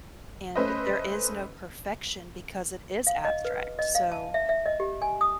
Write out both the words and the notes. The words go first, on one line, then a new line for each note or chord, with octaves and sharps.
And, there is no perfection, because it is abstract, so
A3 C#4 B4 C5 D#5
F5
D#5
B4
D#5
F5
A5
E5
E5
D#5
G4
G#5
D#6